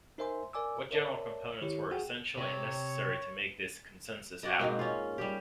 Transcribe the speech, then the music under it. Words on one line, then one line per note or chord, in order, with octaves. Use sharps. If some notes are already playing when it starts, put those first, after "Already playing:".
What general components were essential and necessary to make this consensus happen?
D#4 A#4 C5 E5 G#5 C6
A#4 D5 G#5 D6 E6
A#4 C#5 D5 E5 A5
D#3 E4 G4 C#5
F#4 G#4 F#5 G5
C3 C#5
F#4 D5 D#5
G#2 B2 A#3 C4
C#4 F4
G3 G4